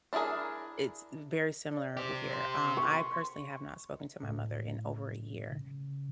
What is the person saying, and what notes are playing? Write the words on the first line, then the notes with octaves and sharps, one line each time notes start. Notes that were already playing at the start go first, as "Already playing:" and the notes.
it's very similar over here. Um, I personally have not spoken to my mother in over a year.
D4 E4 F4 G#4 A#4
D5
G4 C5 D6
C6
C#6
A2 A3
C#3